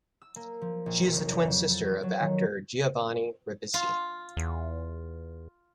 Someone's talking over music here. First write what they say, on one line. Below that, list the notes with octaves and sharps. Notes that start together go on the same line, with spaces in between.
She is the twin sister of actor Giovanni Ribisi.
E6
A#3
F3
A#1
E1
B1
F#1
F2
A4
F#3
F#3
D#3
F4
E2